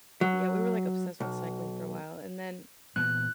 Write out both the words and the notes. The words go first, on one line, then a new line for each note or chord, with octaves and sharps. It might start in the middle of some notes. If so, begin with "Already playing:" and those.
Yeah, we were, like, obsessed with cycling for a while, and then
F#3
B1
A#2 E3 B3 F#6